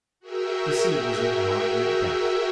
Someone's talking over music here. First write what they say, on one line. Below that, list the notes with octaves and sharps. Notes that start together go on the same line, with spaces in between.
The sea was of moderate depth.
F#4 G#4 A#4 E5 G5